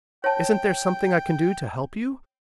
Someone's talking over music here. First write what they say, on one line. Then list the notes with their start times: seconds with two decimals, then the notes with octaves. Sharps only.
"Isn't there something I can do to help you?"
0.24 C#5 G5 A5